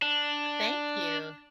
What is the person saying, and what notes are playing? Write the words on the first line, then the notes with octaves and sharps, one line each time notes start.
Thank you.
D4